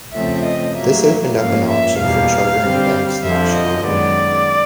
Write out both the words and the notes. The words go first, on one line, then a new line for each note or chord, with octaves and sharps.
This opened up an option for chartering banks nationally.
C#3 F3 A3 C4 E5
D#5
A2 F#3 A#3 E5
G#2 F3 A#3 C#4 F5
E5
E2 B2 G3 A#3 F5
D3 G3 C4
F2 D3 F3 E5
D#5
F#2 D#3 G#3 B3 D5